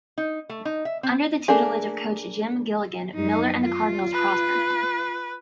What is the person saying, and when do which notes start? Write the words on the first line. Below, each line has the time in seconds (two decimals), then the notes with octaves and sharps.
Under the tutelage of Coach Jim Gilligan, Millar and the Cardinals prospered.
0.18 D#4
0.49 A3
0.65 D#4
0.85 E5
1.03 C4
1.48 A3 A#3 D4 G#4
3.15 F#2 D#4
3.64 F4
4.13 B4